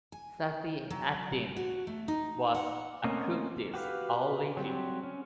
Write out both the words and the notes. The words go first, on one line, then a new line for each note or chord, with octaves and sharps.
Safi-ad-din was of Kurdish origins.
G#5
F#3
F#4
A3
D#4
F#5
A3 A#3 C4 C#4 D#5
F#4 G4 B4 F5
F#3 G3 C4 G4
C#4